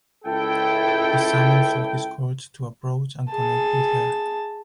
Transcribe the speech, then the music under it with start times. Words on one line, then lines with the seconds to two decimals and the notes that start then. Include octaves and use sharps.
He summons all his courage to approach and connect with her.
0.25 C#2 E4 A4 G5
3.30 G#4 A5